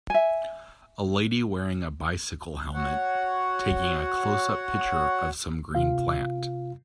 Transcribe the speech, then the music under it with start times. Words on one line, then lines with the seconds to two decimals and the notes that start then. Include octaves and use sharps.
A lady wearing a bicycle helmet taking a closeup picture of some green plant.
0.10 E5 G#5
2.74 F#4 C#5 F#5
5.75 C3 F4 F5